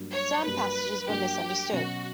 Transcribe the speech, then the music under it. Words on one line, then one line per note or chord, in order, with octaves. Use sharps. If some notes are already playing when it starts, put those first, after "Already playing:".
Some passages were misunderstood.
Already playing: G2 F#3 A#3 D4
C#5
G2 F#3 A#3 D4 B4
G2 F#3 A#3 D4 G4
B2 F#3 C#4 F#4